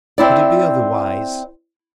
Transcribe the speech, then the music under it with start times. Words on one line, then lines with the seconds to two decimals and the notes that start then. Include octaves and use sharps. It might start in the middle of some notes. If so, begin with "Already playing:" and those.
Could it be otherwise?
0.18 C4 E4 D5